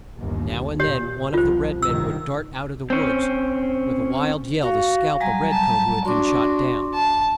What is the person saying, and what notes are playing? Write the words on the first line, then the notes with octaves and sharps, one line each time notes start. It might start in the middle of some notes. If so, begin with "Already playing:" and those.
Now and then one of the red-men would dart out of the woods with a wild yell to scalp a red-coat who had been shot down.
G1 D#2
A#2 G4 C#5
C2 F3 F4 C5
G1 C2 D#3 E6
C4 C#4
F#4 F5
F#3 G3 G#5 A#5
A5
D4 F#4 C6 D6
A5